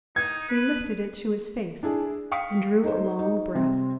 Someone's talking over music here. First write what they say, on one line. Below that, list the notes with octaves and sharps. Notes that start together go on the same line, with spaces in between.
He lifted it to his face, and drew a long breath.
D#4 G#6
B4
D4 E4 G#4
F5 G5 C#6 D#6 B6 C#7
D#4 C5
D#4
C3 G3 C4